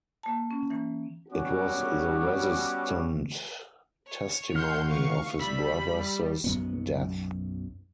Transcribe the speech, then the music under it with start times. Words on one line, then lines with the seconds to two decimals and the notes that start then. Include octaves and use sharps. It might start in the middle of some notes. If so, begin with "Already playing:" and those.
It was the resistant testimony of his brothers’ death.
0.23 A#3 A5
0.51 C#4
0.70 E3 A#3
1.30 G3 B3 C#4 F#4 C#5 D6
4.07 C#5
4.55 D#3 F#5 C6 F6 G6
4.88 F5 C#6
5.39 G3 E5 B5
6.44 B1 F#2 B3